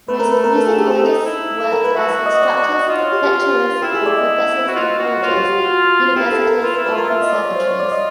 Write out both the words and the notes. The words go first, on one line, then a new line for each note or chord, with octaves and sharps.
Most musicologists work as instructors, lecturers or professors in colleges, universities or conservatories.
A3 B4
A#4
B4
A#4
A4
G#4
G4
A4
D#4
E4
A4
A#4
B4
F#4 E5
E5
D#5
D5
D5
D#5
F4 D#5
C#5
G4
G4
E4 G4
G#4
D5
D#5
F#4
F4
F#4
F4 C#5
G4
F#4
F#4
E4 G4
A4
A#4
F4 B4
B4
E4
B4
F4 A#4
F4 E5
D#5
D5
C#5
C5
C#5
D5
D#5